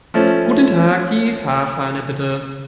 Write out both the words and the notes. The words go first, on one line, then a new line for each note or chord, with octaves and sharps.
Guten Tag, die Fahrscheine bitte.
F3 A3 C#4